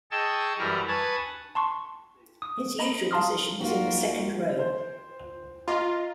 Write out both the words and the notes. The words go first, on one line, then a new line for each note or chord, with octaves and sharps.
His usual position was in the second row.
G#4 D#5 G5 A5 C#6 E6
F#2 E3 G3 E4 A#4 A#5
B4 G#5 A5 C#6 D#6
A5 C6 C#6
D#6
D#5 A#5 B5
F5 A5 A#5 C6 D#6 F6
D#2 F4 F#4 A#4
C5
F4 D#5 A#5 C6